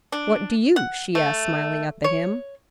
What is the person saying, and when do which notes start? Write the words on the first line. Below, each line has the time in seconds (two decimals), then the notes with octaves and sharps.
"What do you?" she asked, smiling up at him.
0.12 D4
0.76 F#5
1.15 A3
2.04 C#5